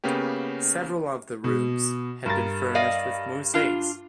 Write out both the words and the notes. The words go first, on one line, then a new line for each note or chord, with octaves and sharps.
Several of the rooms had been furnished with mosaics.
C#3 A#3 B3 C#4 G4
B2
G2 A#4 A6
D5 D#5 F5
D4 F4